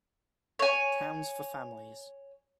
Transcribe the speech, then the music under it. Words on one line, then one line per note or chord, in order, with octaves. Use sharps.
Towns for Families.
C#5 G#5